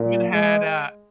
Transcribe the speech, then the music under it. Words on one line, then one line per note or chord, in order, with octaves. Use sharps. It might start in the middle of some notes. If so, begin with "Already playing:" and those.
even had a
Already playing: A#2
G#3